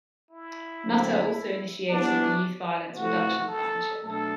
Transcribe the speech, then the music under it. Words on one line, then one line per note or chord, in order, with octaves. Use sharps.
Nutter also initiated the Youth Violence Reduction Partnership.
E4
F#2 D3 F#3 A3 C4
E3 G3 B3 D4
C3 E3 A3 F#4
A4
B2 F#3 A3 D4 A4